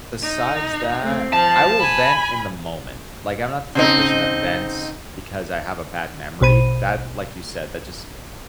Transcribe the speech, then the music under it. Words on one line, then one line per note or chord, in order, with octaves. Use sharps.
besides that, I will vent in the moment. Like, I'm not the type of person that vents because I have a bad memory. That, like you said, that just
D#4
A3 C4
F3 A5
G#5 B5
C#3 C4 D#4
A#1 B2 C5 B5 D#7